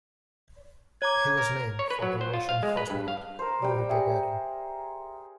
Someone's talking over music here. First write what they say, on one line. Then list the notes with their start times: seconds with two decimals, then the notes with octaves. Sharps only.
He was named for the Russian cosmonaut Yuri Gagarin.
1.02 C#5 A#5 D6 G#6
1.37 A#4
1.79 C#5
1.90 B4
2.02 F#3
2.21 C5
2.33 F4
2.49 F5
2.63 G#3
2.77 B4
2.90 G2
3.08 F5
3.39 A#4 C5
3.62 G3 G5
3.89 G#4 E5 G5